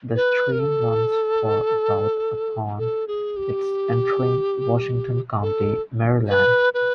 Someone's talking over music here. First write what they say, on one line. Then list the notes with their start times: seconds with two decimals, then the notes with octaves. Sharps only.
The stream runs for about upon its entering Washington County, Maryland.
0.16 B4
0.52 A#4
0.59 A4
2.79 A4
3.08 G#4
3.37 G4
5.42 A4
6.30 B4
6.74 B4